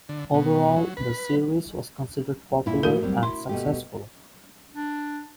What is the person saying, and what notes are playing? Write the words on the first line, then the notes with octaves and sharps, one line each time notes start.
Overall the series was considered popular and successful.
D3
B2
F#3
B4
A#2 E4
A3 F#4 A#4
F#3 G3 C4
E4 C6
B2 A3 G4
D4